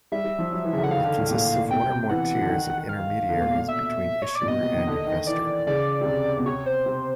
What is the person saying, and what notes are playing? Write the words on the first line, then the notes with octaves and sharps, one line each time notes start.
It consists of one or more tiers of intermediaries between issuer and investor.
G3 E5
G3
F3
F#3
E3
C#3
D3
F#5
C#3 F5
D#3
D3
A2
A#2
B2 G5
C3
E3 F#5
D3
D#3
F5
D3
B2
A#2
A#2
E5
C#5
D5
A#2
B2 D#5
C3
D#3
D3
D#3
E3 D5
C#3 D5
C3
C#3
B2
C3 C#5
C5
C3